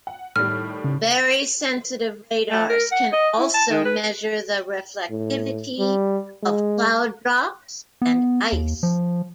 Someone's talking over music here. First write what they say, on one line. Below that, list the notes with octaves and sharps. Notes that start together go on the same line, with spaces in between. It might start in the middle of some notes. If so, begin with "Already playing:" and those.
Very sensitive radars can also measure the reflectivity of cloud drops and ice.
F#5
A2 D#3 G3 F6
C#3
A3
A#4
F#5
D#5
E4
A5
D#3
B4
A2
G3
G#3
B3
D#2
F3